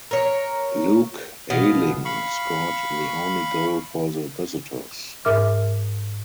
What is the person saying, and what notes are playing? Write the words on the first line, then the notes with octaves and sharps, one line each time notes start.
Luke Ayling scored the only goal for the visitors.
A#4 C#5
B2 F5
F5 B5 C#6
G#2 A#4 E5 D6 F6